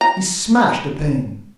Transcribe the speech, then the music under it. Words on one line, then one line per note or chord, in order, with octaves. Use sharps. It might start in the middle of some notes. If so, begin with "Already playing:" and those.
He smashed a pane.
A#5